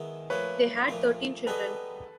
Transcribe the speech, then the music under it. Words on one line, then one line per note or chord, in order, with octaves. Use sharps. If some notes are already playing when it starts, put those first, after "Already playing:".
They had thirteen children.
Already playing: D#3 G#3 B3 E4 G#4
A#2 F3 A3 B4 C#5
A#2 F3 A3
G3 B3 D#4 G#4 A4 B4